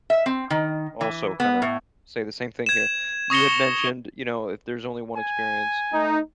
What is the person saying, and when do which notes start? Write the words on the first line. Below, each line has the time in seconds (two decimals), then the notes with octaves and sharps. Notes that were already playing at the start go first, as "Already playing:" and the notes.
also kinda say the same thing here. You had mentioned, you know, if there's only one experience,
0.10 E5
0.26 C4
0.50 D#3
1.01 E3
1.40 B3
1.62 A2
2.66 G#6 E7
3.30 C#6 D#6 A#6 C#7 G7
5.17 G#5
5.91 A3 D#4